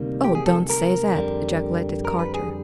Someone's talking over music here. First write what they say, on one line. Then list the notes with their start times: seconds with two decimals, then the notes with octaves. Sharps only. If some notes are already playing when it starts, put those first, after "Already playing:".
"Oh, don't say that!" ejaculated Carter.
Already playing: D2 C3 D#3 G3 A#3 D#4
0.24 G4
0.35 G#4
0.46 A4
0.70 A#4
1.14 F2 D3 G3
2.05 A#4
2.19 B4
2.34 G#4